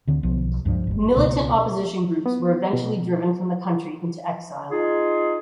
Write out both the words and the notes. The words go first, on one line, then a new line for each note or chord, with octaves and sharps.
Militant opposition groups were eventually driven from the country into exile.
D2 D3 C4
B1 F3 B3
C#2 G2 F3
G1 G2
C#2 B2 B3
B3
B2
D#4 F4 G#4